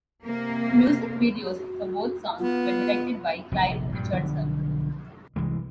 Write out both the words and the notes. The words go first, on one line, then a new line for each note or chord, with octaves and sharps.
The music videos for both songs were directed by Clive Richardson.
C3 A#3
F#4
B3 F4
F1 A#1 G#2
G2 A#2
B1 D3 F3 B3
C2 E3 G#3